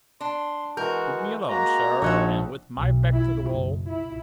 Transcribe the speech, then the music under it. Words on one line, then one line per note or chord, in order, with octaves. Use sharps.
Put me alone, sir, and with my back to the wall.
D4 C6
E3 G#3 F#4 A#4 G6
G#3 A#3 F#4 A#5
A#1 B3 D#4 C#5 E5 F#6
B1
E4
F#1
E4